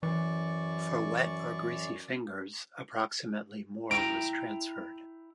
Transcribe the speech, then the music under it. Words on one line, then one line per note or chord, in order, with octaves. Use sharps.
For wet or greasy fingers approximately more was transferred.
F#2 E3 D5 C#6
E4 G5 A#5 D7